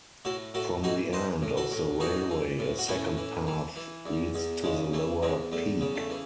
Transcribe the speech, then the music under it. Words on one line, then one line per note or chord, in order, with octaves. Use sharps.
From the end of the railway a second path leads to the lower peak.
A2 F#4 A4
A2 F#4 A4
E3 D#4 F#4
E3 C5 D#5
A2
F#4 A4
A2
E3 D#4 F#4
E3
A2
F#4
A2 C#4 E4
E3
E3
E3
E2
E2
C#3 G#3
E3 A3
E2 G#3 C4
E2 A3
C#3
A3
E3